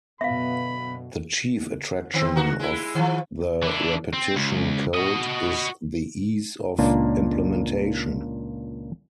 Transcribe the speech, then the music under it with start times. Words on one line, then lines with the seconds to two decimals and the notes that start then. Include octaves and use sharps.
The chief attraction of the repetition code is the ease of implementation.
0.21 F#2 B2 D3 B3 E5 F5 B5
2.14 D#3 C4
2.36 D3 F#4
2.59 G#3 E4
2.95 D#3 F3
3.62 E3 D4
4.13 C4
4.36 C#2
4.94 F#4 D#5
6.79 C#2 A#2 A#3 D4